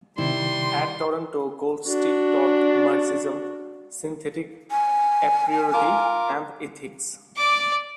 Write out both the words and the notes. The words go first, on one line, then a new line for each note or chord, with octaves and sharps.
At Toronto, Goldstick taught Marxism, synthetic apriority, and ethics.
C3 D#3 G3 E4 C6
D4 F#4
G#5
F4 A#4 D6
D5 D6